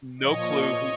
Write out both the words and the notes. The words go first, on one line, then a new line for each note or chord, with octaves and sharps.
No clue who
A#2 F3 C#5 D#5